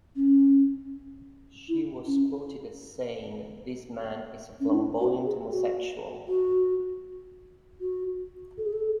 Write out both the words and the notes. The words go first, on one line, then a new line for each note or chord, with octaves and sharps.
She was quoted as saying, This man is a flamboyant homosexual.
C#4
E4
C#4
C#4
D4
E4
F#4
G#4
F#4
F#4
F#4
A4
G#4
A4